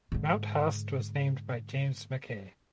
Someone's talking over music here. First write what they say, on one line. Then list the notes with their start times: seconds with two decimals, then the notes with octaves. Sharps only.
Mount Haast was named by James Mackay.
0.12 G#2 D3